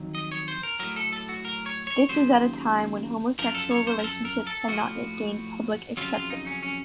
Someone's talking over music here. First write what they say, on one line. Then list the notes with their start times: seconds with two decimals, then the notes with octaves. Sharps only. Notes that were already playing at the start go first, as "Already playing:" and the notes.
This was at a time when homosexual relationships had not yet gained public acceptance.
Already playing: F2 D#3 F#3
0.15 D#5
0.32 C#5
0.48 C5
0.63 A#4
0.79 A2 F#3 A#4
0.96 A4
1.13 A4
1.29 F#4
1.45 A#4
1.66 C#5
1.87 C#5
2.09 D#2 C#3 F#3 C5
3.39 F#2 F3 A#4
3.55 A4
3.71 C#5
3.87 C5
3.99 A#4
4.04 A4
4.25 A#4
4.47 A4
4.68 A2 F3 F#4
5.97 F2 C#3 F#3 F4
6.14 F4
6.30 D#4
6.47 C#4
6.63 C#4